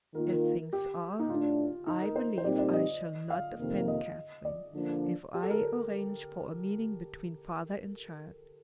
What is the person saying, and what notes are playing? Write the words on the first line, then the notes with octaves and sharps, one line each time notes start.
As things are, I believe I shall not offend Catherine, if I arrange for a meeting between father and child.
D#3 A#3 F4 A#4
G4
D#4
A2 A3 D4 F4
D#4
A#4
C5
C5
A#2 G3 C4 D#4 G4 D5
D5
D#5
F5
F2 C3 D#3 A#3
D#5
D5
D3 F3 A#3 D4
G4
A4
A#4